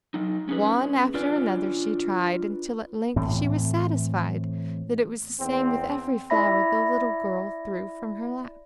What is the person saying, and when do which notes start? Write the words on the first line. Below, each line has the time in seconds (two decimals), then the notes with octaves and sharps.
One after another she tried, until at length she was satisfied that it was the same with every flower the little girl threw from her lap.
0.14 F#3 D#4
0.49 C#4 G#4 B4
1.14 D4 F4 B4 D5 G#5
3.16 A2 E3 C4
5.39 E2 C4
6.30 E4 D5 E5 B5 A#6